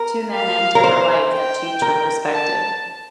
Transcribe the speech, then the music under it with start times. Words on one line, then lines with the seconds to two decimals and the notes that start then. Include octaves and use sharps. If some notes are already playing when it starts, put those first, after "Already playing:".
Two men enter her life that change her perspective.
Already playing: A#4
0.34 F5
0.75 A#4
0.84 C5
1.33 G5
1.82 A#4
2.32 A5